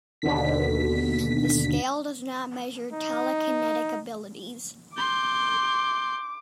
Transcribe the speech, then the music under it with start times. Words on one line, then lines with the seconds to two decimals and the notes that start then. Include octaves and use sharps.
The scale does not measure telekinetic abilities.
0.22 D#2 B2 D3 B6
2.93 D#4
4.97 C6 D6 G6